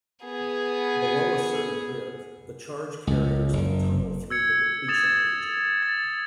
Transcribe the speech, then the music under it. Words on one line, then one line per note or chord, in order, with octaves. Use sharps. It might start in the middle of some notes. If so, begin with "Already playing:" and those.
Below a certain width, the charge carriers can tunnel through the depletion region.
B3 G#4
C#2
F#1
E6 G#6 C#7
D#6 A6 E7 F7
A6